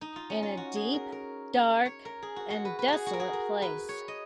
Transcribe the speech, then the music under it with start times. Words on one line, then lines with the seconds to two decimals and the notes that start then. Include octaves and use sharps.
In a deep, dark and desolate place.
0.01 D#4
0.16 F4
0.30 C#4
0.43 F4
0.57 F#4
0.76 G#4
0.94 A#4
1.12 A#4
1.86 C#5
2.05 A#4
2.22 G#4
2.36 F#4
2.50 F#4
2.65 B4
2.79 B4
2.88 F#4 G#4
3.06 F#4
3.13 A#4
3.20 G#4
3.33 A#4
3.62 B4
3.89 C#5
4.08 D#5